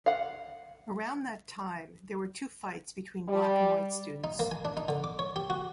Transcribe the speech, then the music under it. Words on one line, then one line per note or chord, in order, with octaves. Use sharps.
Around that time there were two fights between black and white students.
F5 F#5
G3
D#4
A#3
G#5
D4
D#4
D3
D6
C#5
G4
F#4